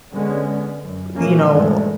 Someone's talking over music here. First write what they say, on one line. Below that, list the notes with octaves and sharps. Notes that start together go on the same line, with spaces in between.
you know,
D3 G#3 B3 C#4
F#2
A#2 E3 G#3 A#3 C#4
G2 A#2 D#3 E3 G#3 A3